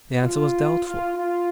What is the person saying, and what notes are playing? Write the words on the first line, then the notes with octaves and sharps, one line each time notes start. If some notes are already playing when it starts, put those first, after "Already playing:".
The answer was doubtful.
F4
F4
F4